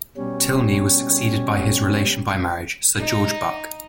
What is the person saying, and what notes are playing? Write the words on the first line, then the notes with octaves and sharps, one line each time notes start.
Tylney was succeeded by his relation by marriage, Sir George Buck.
B2 G3 C#4
D#4